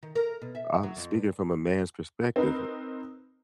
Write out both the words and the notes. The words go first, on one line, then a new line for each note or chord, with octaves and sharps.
I'm speaking from a man's perspective.
D#3
A#4
B2
E5
F#3
F2
G2
C4 D#4 A#4 B4